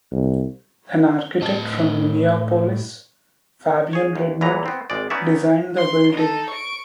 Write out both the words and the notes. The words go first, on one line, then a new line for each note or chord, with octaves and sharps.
An architect from Minneapolis, Fabian Redmond, designed the building.
C2
A2 D#5 A5
G#4 C#5
D#2
E2 A#2 E3 B4 A#5
B3 C4
G#1 G#3 D5
B3 C#4 D#4 C#5 D5 E5
C6
D#4 A4
C#6 D7